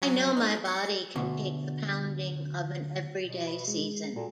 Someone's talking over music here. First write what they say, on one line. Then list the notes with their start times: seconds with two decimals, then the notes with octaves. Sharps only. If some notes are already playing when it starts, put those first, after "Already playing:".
I know my body can take the pounding of an everyday season.
0.02 F#3
0.37 D#4
0.65 C#7
1.16 D2 B2
3.22 B2
3.47 B4
3.68 G#3
4.16 A#2 F#4 A4